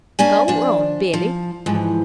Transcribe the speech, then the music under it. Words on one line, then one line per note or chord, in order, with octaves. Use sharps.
"Go on, Billy."
A#3 C#4 D4 G#5
F3 D4
F3
D#2 G#2 E3 F3